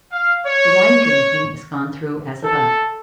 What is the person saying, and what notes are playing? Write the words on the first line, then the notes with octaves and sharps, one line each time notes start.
The wine-drinking is gone through as above.
F5
C#5
C#5
A4